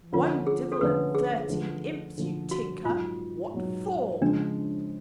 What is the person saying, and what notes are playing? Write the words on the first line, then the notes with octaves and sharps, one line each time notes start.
"One divel and thirteen imps, you tinker! what for?"
D3 F3 A3 C#4 F4
G#4
A4
D3 F3 A3 C#4 B4
G#4
D3 F3 A3
D3 F3 A3
F#4
G#2 F#3 B3 F4
G#2 F#3 B3
C#3 F3 G#3 D4